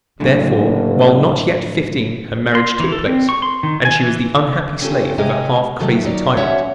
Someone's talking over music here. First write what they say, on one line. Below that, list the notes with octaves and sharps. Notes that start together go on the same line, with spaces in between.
Therefore, while not yet fifteen her marriage took place, and she was the unhappy slave of a half-crazy tyrant.
F#1 F#2 A2 D3
C6
E3
A4
C4
C#6
C6
D#3
G#5
E3
C4 C#4 F4 G4 A4
C3 G#3 G4 G#4 D#5
C3 D#3 F#3 A3
D#2 D#3 F#3 C#4 D5
A#3 C#4 F#4 C#5 E5 F#5